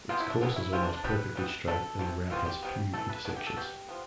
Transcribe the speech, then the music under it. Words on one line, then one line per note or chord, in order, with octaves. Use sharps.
Its course is almost perfectly straight, and the route has few intersections.
C3 F3 B3 F4
E4
D4
B2 G3 B3 E4
E4
C3 E3 G3 F4
D4
D4
D3 G3 B3 B4
E3 G3 B3
D3 A3 A4
C3 E3 A3
E3 G3 B3 F4
G4
C3 G3 B3
E3 A3 A4
B4
E3 B3 D4
G4
A4
B2 G3 B3 G4
F3 B3